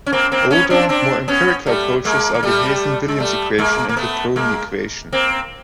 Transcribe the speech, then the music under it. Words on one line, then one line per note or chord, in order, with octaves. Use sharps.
Older, more empirical approaches are the Hazen-Williams equation and the Prony equation.
C#4
A#3 C4
A#3 C4
B3 C#4
C4 D4
C4 D4
B3 C#4
G3 A3
G#3 A#3
A#3
G3 A3
G#3
G3 A3
G#3 A#3
A#3
A3 B3
G#3 A#3
A#3 C4